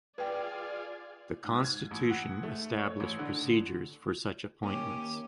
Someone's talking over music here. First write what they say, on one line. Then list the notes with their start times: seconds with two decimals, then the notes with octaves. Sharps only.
The constitution established procedures for such appointments.
0.18 F4 G#4 B4 D5 G5
1.44 G#2
1.64 G#6
1.91 A1
2.10 F#5
2.43 A3
2.78 C#5
3.00 A1
3.19 D3
4.63 D#3 A#3 C#4 G4